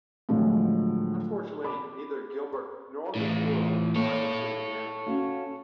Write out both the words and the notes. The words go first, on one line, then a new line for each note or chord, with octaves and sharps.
Unfortunately, neither Gilbert nor the "Squirrel" were ever seen again.
A2 D3 F3 F#3 G#3
B5 D6
A2 E3 F4
A#3 A4 C#5 G5
C#4 F#4 F5